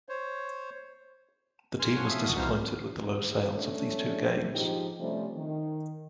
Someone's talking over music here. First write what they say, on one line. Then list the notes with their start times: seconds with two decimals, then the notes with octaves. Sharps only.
The team was disappointed with the low sales of these two games.
0.09 C5 C#5
1.80 A#3 G#5 C6 F6
1.96 F3 C#5 F#5
2.10 C#4 E5 F5 D#6
2.26 F#4
2.37 C2 E3 D#4 C5 F5 F6
3.53 A3 C#4 D4
4.54 G#2 F3 D#4 F4 G4
5.00 C3 F3 G3 A3 C#4
5.35 D#3